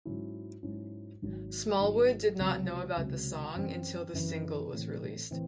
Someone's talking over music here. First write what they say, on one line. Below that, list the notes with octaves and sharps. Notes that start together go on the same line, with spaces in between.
Smallwood did not know about the song until the single was released.
G#2 F#3 C#4 E4
G#2 F#3 C#4 E4
G#1 G#2 F#3
G#1 G#2 F#3
C#2 C3 F#3
C#2 C3 F#3
F#2 E3 C4
F#2 E3 C4
A2 E3 C4
A2 E3 C4